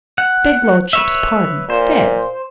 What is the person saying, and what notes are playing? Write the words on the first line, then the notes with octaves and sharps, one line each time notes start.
"Begludship's pardon--dead."
F#5
B4 C#5 E5
A#2 C5